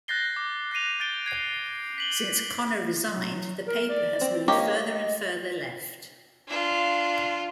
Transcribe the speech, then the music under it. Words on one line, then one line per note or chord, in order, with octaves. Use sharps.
Since Connor resigned the paper has moved further and further left.
F#6 G6 A6 A#6 C7 G7
D6
F#6 A#6 C7 D#7 F7
G6 A6 D7 G7
G#6 C7
B6 F#7 G7
F#3
A#4
D5
C4
A#3 G4 C#5 D#5
D4 F4